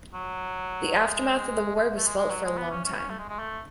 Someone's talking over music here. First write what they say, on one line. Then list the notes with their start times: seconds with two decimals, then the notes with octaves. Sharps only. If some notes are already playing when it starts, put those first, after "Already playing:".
The aftermath of the war was felt for a long time.
0.13 F#3
0.95 G#3
1.76 G#3
1.96 A3
2.07 G#3
2.17 G#3
2.30 F#3
2.45 G#3
2.57 B3
2.71 C#4
2.85 C#4
2.93 B3
2.98 C#4
3.09 A3
3.19 G#3
3.29 G#3
3.39 A3